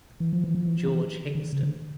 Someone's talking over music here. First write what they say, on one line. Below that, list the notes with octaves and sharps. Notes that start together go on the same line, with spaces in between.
George Hingston.
E3
F3
E3
F3
E3
F3
E3
D#3
C#3
D3